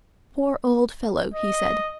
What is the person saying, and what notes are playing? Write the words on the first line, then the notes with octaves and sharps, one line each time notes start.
"Poor old fellow!" he said.
D#5